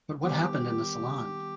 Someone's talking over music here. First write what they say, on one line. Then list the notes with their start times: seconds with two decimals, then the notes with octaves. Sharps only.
But what happened in the salon?
0.23 D#3 G3 B3 G4